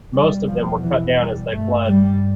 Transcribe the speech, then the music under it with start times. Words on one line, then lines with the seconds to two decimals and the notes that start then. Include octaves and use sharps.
Most of them were cut down as they fled.
0.13 E2 B2 G3
0.48 F3
0.82 E3
1.17 G3
1.51 G2 A3
1.85 G3